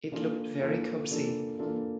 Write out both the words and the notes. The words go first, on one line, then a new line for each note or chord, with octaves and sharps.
It looked very cosy.
E3 A#3 D4 F4 A4
E3 A#3 D4 F4 A4
E3 A#3 D4 F4 A4
E3 A#3 D4 F4 A4